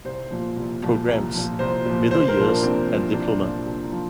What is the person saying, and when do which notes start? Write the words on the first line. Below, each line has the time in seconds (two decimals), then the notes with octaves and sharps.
Programmes: Middle Years and Diploma.
0.05 C2 C5
0.31 A#2 F3
0.57 C2
0.83 A#2 F3
1.09 C2
1.34 A#2 F3
1.59 C2 C5
1.85 A#2 F3
2.11 C2 C5
2.28 A#4
2.37 A#2 F3
2.46 D4
2.63 C2 C4
2.88 A#2 F3
3.14 C2 D4
3.40 A#2 F3
3.66 C2
3.92 F3